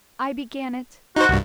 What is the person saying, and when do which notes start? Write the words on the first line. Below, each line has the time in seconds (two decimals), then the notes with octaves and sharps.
I began it!
1.16 D#4 F#4 C5
1.29 C2 G2